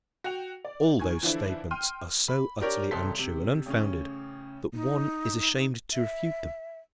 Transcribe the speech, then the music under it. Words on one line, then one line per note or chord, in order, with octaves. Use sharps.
All those statements are so utterly untrue and unfounded that one is ashamed to refute them.
F#4 G5 F7
D5
D#3 G#5 C#6 G#6
D3 E3 F3 D4 E4
G5 C6 F6 D#7
B5
D4 G4 A#4 C#5 D5 A#5
D#1 C2 A4 C6 B6
C3
A1 C#3 C#4
D#4
E5